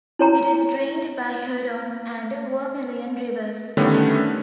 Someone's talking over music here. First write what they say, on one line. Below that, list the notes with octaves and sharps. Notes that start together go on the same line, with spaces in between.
It is drained by Huron and Vermilion rivers.
E4 C#5 A#5
D3 D#3 G3 A3 B3 C#4